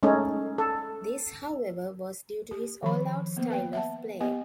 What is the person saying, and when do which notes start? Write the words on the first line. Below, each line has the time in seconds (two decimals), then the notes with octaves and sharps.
This, however, was due to his all-out style of play.
0.03 G#3 A3 C#4 D#4 A4
0.58 A4
2.51 G4
2.82 D#3 F3 B5
3.37 A#3 B3 C5
3.50 B4 F5 G5
3.73 E5 F#5 A5
4.21 B3 G4 D#5 G#5